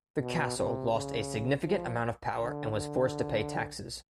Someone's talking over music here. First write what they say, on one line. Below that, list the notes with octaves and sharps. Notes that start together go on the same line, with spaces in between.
The castle lost a significant amount of power and was forced to pay taxes.
B2
C3
C#3
F3
D3
D3